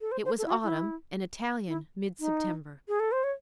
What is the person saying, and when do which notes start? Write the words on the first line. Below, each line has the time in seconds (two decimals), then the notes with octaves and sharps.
It was autumn, an Italian mid-September.
0.01 A4
0.12 C5
0.25 C5
0.38 A4
0.46 E4
0.51 F#4
0.64 E4
1.68 E4
2.20 D#4
2.88 G#4
3.00 A4
3.12 C5
3.24 C#5